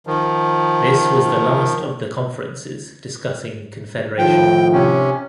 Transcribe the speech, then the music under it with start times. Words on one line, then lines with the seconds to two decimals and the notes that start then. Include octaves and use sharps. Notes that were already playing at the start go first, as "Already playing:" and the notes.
This was the last of the conferences discussing Confederation.
0.07 D#3 F3
4.18 A2 D#3 F3 G5
4.73 C3 C#4